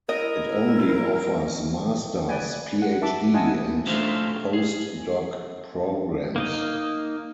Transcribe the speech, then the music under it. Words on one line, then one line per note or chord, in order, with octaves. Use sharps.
It only offers Master's, PhD, and Postdoc programs.
E4 A#4 D#5
B4 D5 G5 G#5
F#5
E5 A5 D6
E4 D#5 F#5 G#5 A5
F#3 A3 D4 F4 A4 C5
G#4
A#3 D#4 D#5